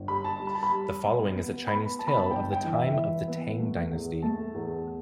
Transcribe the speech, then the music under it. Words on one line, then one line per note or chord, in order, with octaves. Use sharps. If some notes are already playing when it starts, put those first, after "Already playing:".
The following is a Chinese tale of the time of the Tang dynasty.
Already playing: G1
G3 B5
A5
G3
B5
A5
B5
G3
B3
B3
B3 B5
B3 A5
B5
A5
G1 G5
G5
E3
E5
E3
B3
A3
E2
A3 A5
E2